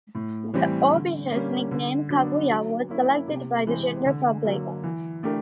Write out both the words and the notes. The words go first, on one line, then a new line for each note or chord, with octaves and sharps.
The orbiter's nickname, Kaguya, was selected by the general public.
A2
E3 G3 C4
D3
G3 A#3 C#4
D3
F#3 B3 D4
F#3
A#3 C#4 E4
C3
E3 G#3 C4
D3
F#3 A#3
E3
A3 D4 G4 A#4